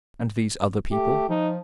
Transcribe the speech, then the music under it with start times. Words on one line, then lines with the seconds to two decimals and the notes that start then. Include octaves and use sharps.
"And these other people?"
0.91 A3 G4
1.29 F3 D#4